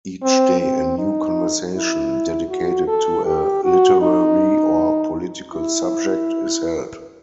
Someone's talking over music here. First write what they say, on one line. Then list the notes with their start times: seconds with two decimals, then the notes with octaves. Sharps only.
Each day a new conversation, dedicated to a literary or political subject, is held.
0.23 C4
0.61 C4
0.98 D#4
1.75 E4
2.49 F#4
2.88 A4
3.26 G4
3.64 F#4
4.02 D#4
5.53 E4